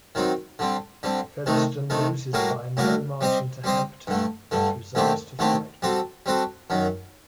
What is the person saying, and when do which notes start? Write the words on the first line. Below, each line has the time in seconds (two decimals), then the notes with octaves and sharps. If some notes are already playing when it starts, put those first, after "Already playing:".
Featherston loses by a narrow margin to Hampton, but resolves to fight on.
0.15 D#3 F#3 C4 D#4
0.59 D3 G3 C4
1.03 D3 G3 C4
1.46 C3 D#3 A3 D#4
1.90 C3 D#3 A3 D#4
2.33 A2 G3 A#3 F#4 A#4
2.77 A2 G3 A#3 F#4 A#4
3.21 G3 C4 G4 C5 D#5
3.64 G3 C4 G4 C5 D#5
4.07 G2 D3 A3
4.51 G2 D3 A3
4.95 D#2 D3 A3 C4 G4
5.39 D#2 D3 A3 C4 G4
5.82 G3 C4 F#4 A4
6.26 G3 C4 F#4 A4
6.70 F#2 D#3 F#3